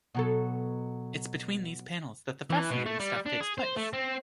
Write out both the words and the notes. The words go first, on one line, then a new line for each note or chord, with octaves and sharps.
It's between these panels that the fascinating stuff takes place.
B2 F#3 A4
E3
B2
A3
G3
D4
G#4
C5
A3
C4